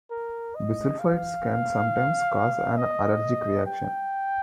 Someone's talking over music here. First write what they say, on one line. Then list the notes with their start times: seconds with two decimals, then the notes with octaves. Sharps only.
Bisulfites can sometimes cause an allergic reaction.
0.11 A#4
0.56 D#5
0.99 F5
2.78 D#5
3.66 G5